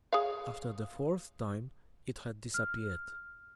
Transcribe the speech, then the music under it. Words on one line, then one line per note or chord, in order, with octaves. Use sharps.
After the fourth time, it had disappeared.
G#4 C#5 F5
F6